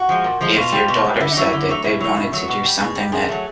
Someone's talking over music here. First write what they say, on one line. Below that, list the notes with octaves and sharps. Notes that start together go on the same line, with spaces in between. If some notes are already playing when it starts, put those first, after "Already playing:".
if your daughter said that they wanted to do something that
Already playing: F#4
F3 G#3
A#2
F3 G#3
B2 F4
G3
B2
G3
D3 E4
D#4
F#3 A3 E4
D3
F#3 A3
B2 E4
F#3 A3
B2
F#3 A3
B2 F#4
G3
B2 G#4
G3
A#2 G#4
F#3 A3